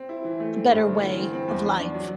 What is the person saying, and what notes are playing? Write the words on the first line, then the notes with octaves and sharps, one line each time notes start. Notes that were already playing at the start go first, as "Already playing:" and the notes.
a better way of life.
Already playing: C4
E4
E3
A3
C4
G2
D3
E3
C4
C4
E2
D4
D4
F#3